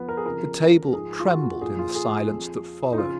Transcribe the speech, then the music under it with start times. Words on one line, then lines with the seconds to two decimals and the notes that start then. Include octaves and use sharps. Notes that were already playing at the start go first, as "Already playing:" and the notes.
The table trembled in the silence that followed.
Already playing: F2 F3 B3
0.09 A#4
0.17 G#4
0.25 F2 C#3 F3 A#4
0.93 G#2 F3 G#4
1.20 F4
1.28 F#4
1.61 A#2 F3 G#4
1.79 F4
1.95 G#4
2.29 F2 F3
2.93 D#4
2.98 C#3 F3 F4